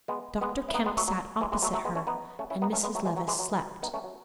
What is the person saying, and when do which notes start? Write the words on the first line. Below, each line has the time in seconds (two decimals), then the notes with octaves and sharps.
Dr. Kemp sat opposite her--and Mrs. Levice slept.
0.08 G#3 B3
0.41 G#3 B3
0.69 E4
0.74 B3 D#4
0.86 G#3 B3
0.97 F#3 A3
1.08 F#3
1.41 E3 G#3
1.52 E3 G#3
1.62 F#3 A3
1.73 F#3 A3
1.85 G#3 B3
1.95 A3 C#4
2.07 B3 D#4
2.39 A3 C#4
2.50 C#4 E4
2.62 B3 D#4
2.72 A3 C#4
2.83 G#3 B3
2.95 F#3 A3
3.05 E3 G#3
3.16 F#3
3.28 E3 G#3
3.39 F#3
3.82 B3 D#4
3.93 A3 C#4
4.04 F#3